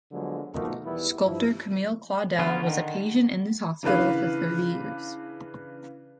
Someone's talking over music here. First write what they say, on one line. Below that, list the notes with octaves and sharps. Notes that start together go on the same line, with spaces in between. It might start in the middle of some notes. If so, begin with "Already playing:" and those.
Sculptor Camille Claudel was a patient in this hospital for thirty years.
D3 F3 F#3 G#3 A#3 B3
B2 D#3 F3 A3 A#3 D#4
E2 E3 G3 B3 E4
G2 F3 E4
D3 F#3 B3 C#4 F4
D3 D#3
C#3 E3 D4 B4 F5